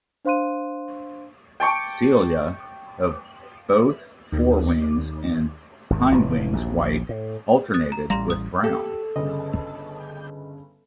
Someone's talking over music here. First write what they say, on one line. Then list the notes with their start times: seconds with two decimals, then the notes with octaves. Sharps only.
Cilia of both forewings and hindwings white, alternated with brown.
0.25 D4 C5 F5 C6 F#6 D#7
1.60 G5 A5 C#6 D6
4.32 D#2
5.90 G#1 D#2
6.11 F1 A2 E3
6.53 A#1 D#2
7.09 A2
7.74 D#6 F#6 A6
7.92 A#5
8.10 A1 G3 F5 A#5 C6
8.30 D#6
8.64 G4 A4
9.16 G1 C#3 D#5